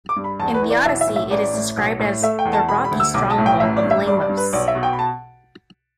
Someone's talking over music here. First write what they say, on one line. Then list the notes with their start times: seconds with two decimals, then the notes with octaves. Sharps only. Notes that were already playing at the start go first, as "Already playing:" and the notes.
In the "Odyssey", it is described as the rocky stronghold of Lamos.
0.09 D6
0.16 G2
0.24 B5
0.40 E2 A5
0.54 B4
0.63 E3
0.70 D5
0.86 B1 E5
1.01 E5
1.07 A2
1.16 E5
1.30 A1 D5
1.54 A2
1.77 B1
1.99 A2
2.22 A3 E5
2.39 G5
2.45 E2
2.53 A5
2.69 E1 B5
2.84 B5
2.92 D2
3.00 E6
3.14 B1 D6
3.30 A5
3.38 A2
3.46 G5
3.60 A1 E5
3.77 D5
3.84 G2
3.91 E5
4.07 G3 D5
4.21 D5
4.29 G2
4.37 B4
4.53 B1 D5
4.68 E5
4.75 B2
4.83 G5
4.93 B5
4.99 A5